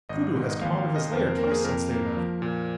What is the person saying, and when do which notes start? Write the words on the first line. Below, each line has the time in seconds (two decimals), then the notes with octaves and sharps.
"Kudu has come out of his lair twice since they left."
0.09 G#1 D#5
0.35 G#2
0.51 D#5
0.61 D#2 F5
0.78 F5
0.87 A#3
0.96 D#5
1.13 F2 C5
1.26 A#4
1.38 A#3 A#4
1.51 G#4
1.65 F2 A#4
1.91 A#3
2.16 F3
2.42 A#2